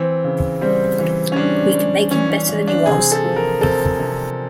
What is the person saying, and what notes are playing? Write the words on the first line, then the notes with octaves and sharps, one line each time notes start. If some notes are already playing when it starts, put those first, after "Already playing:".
We can make him better than he was.
Already playing: E3 C4
C#3
G3 C4
E3
C#4
G3 D4
G3
E3 C#4
C#4
E3
D4
C3 G#4
A4
F3
A#4
C3 A4
C3